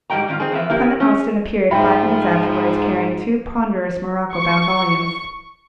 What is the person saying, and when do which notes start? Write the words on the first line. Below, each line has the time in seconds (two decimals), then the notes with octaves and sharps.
Clement Austin appeared five minutes afterwards, carrying two ponderous morocco-bound volumes.
0.10 G#2 G3 A#4 D#5 G5 A#5
0.28 G#2 D#3 C4 F4
0.40 C4 D#4 G#4
0.52 E2 F3 B3 E5
0.70 A#3 E4 G4 A#4
1.00 C#4 G#4
1.71 G#2 F4 C5 E5 G5 B5
4.35 C#6